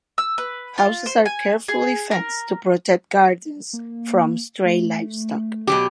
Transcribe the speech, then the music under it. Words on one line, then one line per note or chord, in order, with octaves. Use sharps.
Houses are carefully fenced to protect gardens from stray livestock.
E6
B4
F4
C5
G#5
G#4
A#4
A#3
A3
B2 F#3 G4